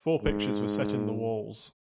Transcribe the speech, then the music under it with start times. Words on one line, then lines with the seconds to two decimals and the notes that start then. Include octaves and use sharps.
Four pictures were set in the walls.
0.22 G#2